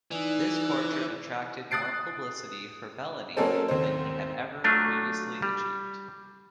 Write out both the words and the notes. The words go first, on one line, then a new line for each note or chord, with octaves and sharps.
This portrait attracted more publicity for Bellany than he had ever previously achieved.
E3 D#4 D5
D#6 F#6 A6 C7 D7
F#3 A#3 C#4 G#4 A4 C5
D#2 C4 C5
F#3 A3 D4 F4
G3